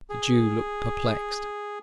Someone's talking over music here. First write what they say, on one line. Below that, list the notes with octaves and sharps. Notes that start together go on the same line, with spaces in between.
The Jew looked perplexed.
G#4